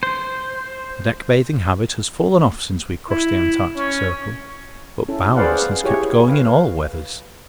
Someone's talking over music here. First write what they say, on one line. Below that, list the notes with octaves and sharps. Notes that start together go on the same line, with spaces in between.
The deck bathing habit has fallen off since we crossed the Antarctic circle, but Bowers has kept going in all weathers.
C5
E4
C#4
C#4 E4 A4
G#4 B4 C5 D5 F5 F#5
E4 G4 G#4 C#5
B4 F5